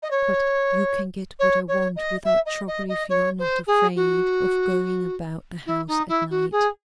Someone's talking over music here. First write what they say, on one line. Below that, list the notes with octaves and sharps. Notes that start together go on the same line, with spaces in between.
But you can get what I want without trouble if you are not afraid of going about the house at night.
D#5
C#5
C#5
C#5
D#5
E5
D#5
D#5
D#5
C#5
C5
G#4
F#4
E4
D#4
E4
F#4
G#4